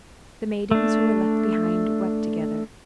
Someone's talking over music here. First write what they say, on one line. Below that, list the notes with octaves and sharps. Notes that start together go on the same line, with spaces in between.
The maidens who were left behind wept together.
A3 D4